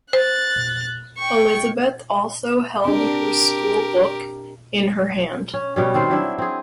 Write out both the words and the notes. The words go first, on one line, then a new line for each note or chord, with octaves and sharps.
Elizabeth also held her school book in her hand.
C5 F#6 A6
G5 C#6
C4 D4 G4 A#4
C#4
B2 G3 C#4
D#3 C4 C5
F#3 D4 E4
C4 G#4